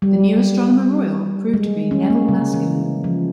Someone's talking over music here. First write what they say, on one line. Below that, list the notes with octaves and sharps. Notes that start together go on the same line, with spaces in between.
The new Astronomer Royal proved to be Nevil Maskelyne.
G3
G#3
C#4
A#3
C#3
E3
F3